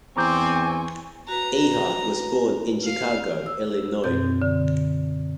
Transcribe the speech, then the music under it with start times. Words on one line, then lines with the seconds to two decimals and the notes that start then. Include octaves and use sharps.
Iha was born in Chicago, Illinois.
0.17 E2 C4 G#5 A#5 C#6 D6 G6
1.28 F#4 B4 A#5
2.84 F5
3.46 E6
4.04 F#2 B2 C4 G6
4.42 D3